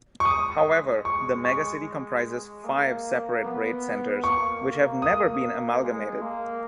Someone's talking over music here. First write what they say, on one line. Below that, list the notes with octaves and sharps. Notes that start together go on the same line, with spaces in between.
However, the megacity comprises five separate rate centres which have never been amalgamated.
C#6
G#3 D#6
C#6
C#6
A#3
B3
A#3 C#6
D#6
G#3
A#3